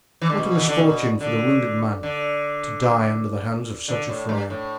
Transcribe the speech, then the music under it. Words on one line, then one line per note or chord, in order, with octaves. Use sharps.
"What a misfortune for the wounded man to die under the hands of such a friar!"
E3
D3
B2
E3
D3
B2
D3
D3
D3
A2
G2
A2